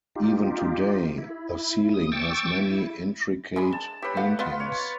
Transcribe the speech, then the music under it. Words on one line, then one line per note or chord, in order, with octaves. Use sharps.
Even today, the ceiling has many intricate paintings.
D#4 F4 G4
E4
D#6
G5 C#6 D6 E6 A6
E4
G#3 D4 B5
A5
E4 G4 B4 C#5
A3 D#5 F5 F#5
B3 F4 B4 D#5 F5
C#5